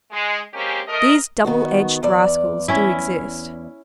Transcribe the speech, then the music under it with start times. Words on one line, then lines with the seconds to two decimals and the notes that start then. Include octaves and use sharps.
These double-edged rascals do exist.
0.11 G#3
0.54 G#3 A#3 C4 C#4 G4
0.88 A3 A#4 D#5
1.45 D#3 B3 F#4
2.03 E2 D5
2.68 C#4 E4